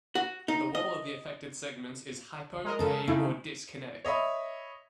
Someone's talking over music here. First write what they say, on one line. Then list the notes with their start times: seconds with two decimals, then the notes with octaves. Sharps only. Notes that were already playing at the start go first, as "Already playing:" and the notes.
The wall of the affected segments is hypo-, a-, or dyskinetic.
0.15 F#4
0.48 D#4
0.75 D#5
2.65 G#3 A#4 D#5
2.79 C#3 A4
3.07 C#3 A3 D#4 E4
4.05 C#5 D#5 E5 B5